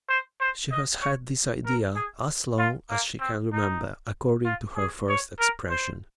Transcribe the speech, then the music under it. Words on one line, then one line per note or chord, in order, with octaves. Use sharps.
She has had this idea "as long as she can remember," according to her first expression.
C5
C5
D#5
C#5
A#4
G#4
F4
A#3
C4
D#4
F4
G#4
C#5
A#4
C5